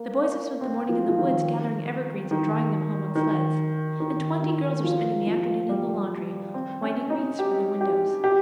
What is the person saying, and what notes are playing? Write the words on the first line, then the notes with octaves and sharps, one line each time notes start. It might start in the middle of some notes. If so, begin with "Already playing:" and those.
The boys have spent the morning in the woods, gathering evergreens and drawing them home on sleds; and twenty girls are spending the afternoon in the laundry, winding wreaths for the windows.
Already playing: A#3
C4
F3
F3
D#3
D#3
D#3
D#3
D#3
F3
F3
G3
C4
C#4
D#4
G4
G4
G4